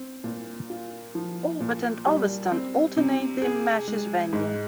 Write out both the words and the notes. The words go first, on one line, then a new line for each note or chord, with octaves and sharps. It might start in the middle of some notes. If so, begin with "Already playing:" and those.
Albert and Ulverston alternate the match's venue.
Already playing: C4
A#2
F4
F3
A#2
G3
C4
C3
G#4
G#3
G#2